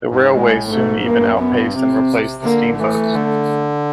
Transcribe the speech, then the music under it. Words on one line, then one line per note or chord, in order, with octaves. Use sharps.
The railways soon even outpaced and replaced the steamboats.
G#2
A2 G#3
G#2 A3
G2 A#3
F#2
G2
F#2
B3
G2
C3 C4
D3 A#3
E3 A3
D3